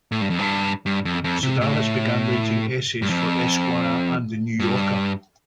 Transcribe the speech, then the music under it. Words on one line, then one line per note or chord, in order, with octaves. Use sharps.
Sedaris began writing essays for "Esquire" and "The New Yorker".
A2
G2
F2
G2
G2
F2
F2
C3
A2
G2
F2
G2